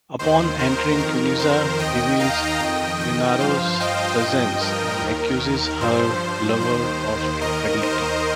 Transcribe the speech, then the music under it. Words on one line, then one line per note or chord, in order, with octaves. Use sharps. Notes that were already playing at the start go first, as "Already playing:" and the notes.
Upon entering, Cuniza reveals Leonora's presence and accuses her lover of infidelity.
D#2 D#3 C5
A#4
F2 D#3 A#4
C5
D#2 D#3 D#5 G5
F5 A#5
F2 D#3 D#5 G5
D#5 G5
G2 F3 C5 F5
D#5 G5
G2 F3 D#5 G5
A#4
D#2 D#3
G2 F3 C5
D#2 D#3 C5
D#2 D#3 A#4 D#5
C5